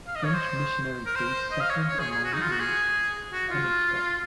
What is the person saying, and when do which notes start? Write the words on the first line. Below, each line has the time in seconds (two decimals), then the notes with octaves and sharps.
French missionary priests settled among the Penobscot.
0.07 F5
0.16 D#5
0.25 C#5
0.34 C5
1.06 A#4
1.15 C5
1.51 D#5
1.60 F5
1.70 C#5
1.88 C#5
2.00 G#4
2.12 G#4
2.24 F#4
2.33 D#4
2.42 F4
2.51 F#4
2.60 G#4
3.32 F#4
3.51 F4